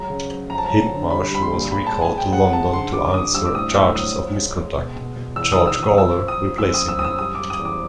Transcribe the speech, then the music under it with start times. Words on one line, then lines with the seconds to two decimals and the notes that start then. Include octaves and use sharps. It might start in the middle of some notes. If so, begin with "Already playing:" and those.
Hindmarsh was recalled to London to answer charges of misconduct, George Gawler replacing him.
Already playing: F#3 G#3 A#5
0.10 C#3
0.31 F#3
0.50 F2 A#5
0.58 A5
0.66 F#3 A#5
0.91 D3
1.10 G3 B5
1.31 G3 B5
1.42 C6
1.52 A#2
1.72 G#3 B5
1.87 A5
1.93 G#3
2.02 G#5
2.12 G#3
2.18 G5
2.32 G#3 F#5
2.53 G#3 A5
2.73 D3 C6
2.93 G3 D6
3.14 G2 D#6
3.34 G2 E6
3.46 D6
3.54 A2 D#6
3.75 A2 E6
3.95 F#3 D#6
4.15 F3
4.35 G#3
4.55 G#3
4.75 B2
4.96 B2
5.16 B2
5.36 E2 E6
5.52 D#3 D#6
5.67 E6
5.77 D#3
5.83 D#6
5.97 F3 E6
6.17 F3
6.28 D#6
6.38 F3
6.58 F#2 E6
6.74 D#6
6.79 F#2
6.88 E6
6.99 F#2 D#6
7.04 E6
7.18 G3 D#6
7.35 G3 D6
7.50 D#6
7.59 E2
7.65 D6